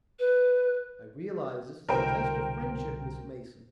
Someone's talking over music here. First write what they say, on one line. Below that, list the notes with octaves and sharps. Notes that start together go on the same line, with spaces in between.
I realize this is a test of friendship, Miss Mason.
B4
C2 B2 D3 A#4 C5 G5